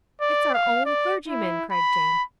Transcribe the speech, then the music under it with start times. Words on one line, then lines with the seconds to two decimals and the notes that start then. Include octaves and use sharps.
'It's our own clergyman,' cried Jane.
0.21 D5
0.54 F5
0.86 D5
1.28 E4
1.72 B5